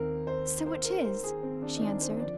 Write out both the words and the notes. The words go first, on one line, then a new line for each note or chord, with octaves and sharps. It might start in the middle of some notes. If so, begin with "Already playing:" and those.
"So it is," she answered.
Already playing: D#2 D#3 C4 A#4
C5
C5
A#4
C5
G#4
C4
D4
D#4
D4
C5
D3 F3 D5